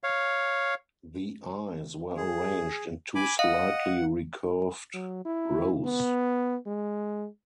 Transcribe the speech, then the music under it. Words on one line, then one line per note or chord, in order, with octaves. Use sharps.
The eyes were arranged in two slightly recurved rows.
C#5 F5
G#4
G#5 B5 D6
D#5 F5 F#5
F#3
E4
B3
G#3